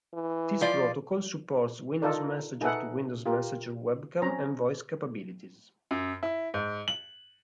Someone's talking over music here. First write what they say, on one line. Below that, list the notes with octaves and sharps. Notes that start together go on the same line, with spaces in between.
This protocol supports Windows Messenger-to-Windows Messenger webcam and voice capabilities.
E3
F3 F4 D5
D#4 F4 A4 A#4 D5
D#4 G#4 A4 B4 E5 F#5
F4 G4 A#4
C4 C#4 A#5
F#2
E4
G#2
F#7